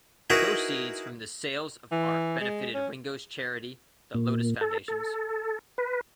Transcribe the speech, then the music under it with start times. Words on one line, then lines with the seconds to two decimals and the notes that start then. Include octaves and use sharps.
Proceeds from the sales of art benefited Ringo's charity The Lotus Foundations.
0.30 D#4 E4 F#4 G#4 A#4 B4
1.92 E3
2.40 G#3
2.74 C#4
4.14 A#2
4.61 A4
4.88 A4
5.78 B4